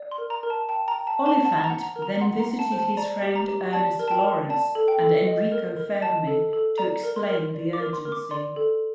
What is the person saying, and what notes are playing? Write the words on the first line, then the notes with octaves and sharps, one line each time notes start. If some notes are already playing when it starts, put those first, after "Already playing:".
Oliphant then visited his friend Ernest Lawrence and Enrico Fermi to explain the urgency.
Already playing: D5
C6
A#4
A#5
A#4
A5
G5 A5
A#5
G5
A5
C5
A5
F#5 A5
A#5
F#5
A#5
A#4
A#5
F#5 C6
A#5
F#5
A5
C5
A5
D5 A#5
G4
A#5
G4
D5 A5
A#4
A5
G5
A#4
D5 A5
A4
G5
A4
D#5
A#4
A#4
D#5 A5
A4
A4
D5 A#5
A#4
C6
A#4
D5
D6
A#4
C6
A#4
D6
D5 C6
A4